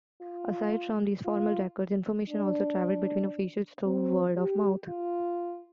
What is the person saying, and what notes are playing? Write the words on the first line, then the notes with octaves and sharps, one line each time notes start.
Aside from these formal records, information also travelled between officials through word of mouth.
F4
F4
D4
C4
G4
F4